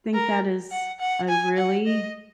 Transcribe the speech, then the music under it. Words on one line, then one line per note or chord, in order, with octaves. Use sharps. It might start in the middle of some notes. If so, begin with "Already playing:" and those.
think that is a really
A#4
F#5
F#5
G#5
F#5
D#5